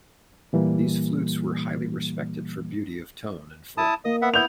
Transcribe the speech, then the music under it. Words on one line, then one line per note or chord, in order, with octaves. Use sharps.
These flutes were highly respected for beauty of tone and form.
A#2 E3 G3 A#3
E4 A5 D#6
A#3 D#5 D#6
B3 E5 F#5
B3 E4 G6 F7